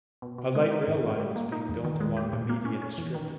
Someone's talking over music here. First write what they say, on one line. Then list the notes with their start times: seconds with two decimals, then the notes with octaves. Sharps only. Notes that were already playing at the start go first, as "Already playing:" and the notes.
A light rail line is being built along the median strip.
0.22 B2
0.38 B2
0.55 G#3
0.71 D#4
0.87 G#2
1.04 G#2
1.20 G3
1.36 A#3
1.52 D#4
1.69 E2
1.84 D#3
2.00 G#3
2.17 G4
2.33 A#2
2.49 A#3
2.65 C#4
2.82 C#4
2.98 E2
3.14 D#3